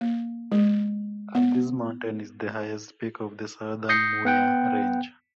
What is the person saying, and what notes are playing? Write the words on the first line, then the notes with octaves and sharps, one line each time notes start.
At this mountain is the highest peak of the Southern Muya Range.
A#3
G#3
B3
D#6 G6 A#6 C7 C#7
B3 F#5 G5